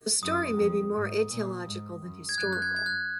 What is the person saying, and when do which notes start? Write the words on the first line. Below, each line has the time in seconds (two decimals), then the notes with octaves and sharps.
The story may be more aetiological than historical.
0.22 F#2 D#6
0.58 F2
0.95 G#2
1.31 A#2
1.67 G#2
2.02 F#2
2.29 G#6
2.38 F#2 F#6
2.53 F#6
2.62 G#6
2.76 G#6
2.86 F#6